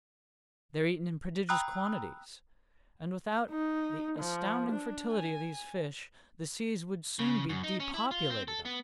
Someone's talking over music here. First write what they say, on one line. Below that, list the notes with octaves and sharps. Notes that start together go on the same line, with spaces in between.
They're eaten in prodigious quantities, and without the astonishing fertility of these fish, the seas would soon be depopulated of them.
G5 A#5 B5 D#6 E6 F#6
D#4
F3
D4
G#5
C#3
F#2
D#4
C#4
E4
F4
C4
A4
B3